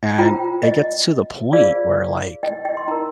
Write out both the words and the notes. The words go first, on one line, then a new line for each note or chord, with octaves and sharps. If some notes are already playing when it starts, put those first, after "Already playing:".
and it gets to the point where, like,
F4 C5 G5 A#5
D#5
F4 G#4 C5 D5 F5
D#5 G5
D#5 G5
C6
D#4 A#4 G5 A#5